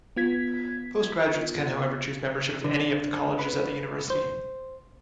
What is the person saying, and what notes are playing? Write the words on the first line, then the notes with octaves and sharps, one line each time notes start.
Postgraduates can however choose membership of any of the colleges at the University.
B3 F4 G#6 B6
D3
B4
C5